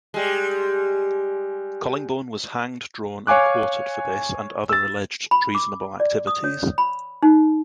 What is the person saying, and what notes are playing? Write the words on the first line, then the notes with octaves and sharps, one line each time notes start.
Collingbourne was hanged, drawn and quartered for this and other alleged treasonable activities.
G3 G#3
C#5 F5 G#5 D6 F#6
E6 A6
B5
D6
D5
D#6
C#5
B5
D#4